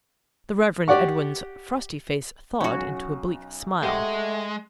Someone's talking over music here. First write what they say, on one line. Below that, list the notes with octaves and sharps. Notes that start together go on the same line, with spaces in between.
The Reverend Edwin's frosty face thawed into a bleak smile.
G4 D5 F#5 C#6
B1 C#4 F#4
G#3 A3 G4 F#5